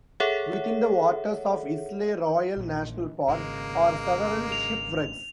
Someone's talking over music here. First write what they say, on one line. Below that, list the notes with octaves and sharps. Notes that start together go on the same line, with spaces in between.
Within the waters of Isle Royale National Park are several shipwrecks.
G#4 A4 C#5 E5 F#5
A#1 A#2
G#1 C#3 G#3 A#3
F7